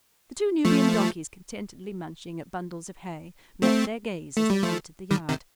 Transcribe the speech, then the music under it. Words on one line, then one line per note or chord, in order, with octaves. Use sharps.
The two Nubian donkeys, contentedly munching at bundles of hay, met their gaze as they entered the yard.
F3 A3
A3 C4
A3
G3
F3 A3
D#3 G3
C3 D#3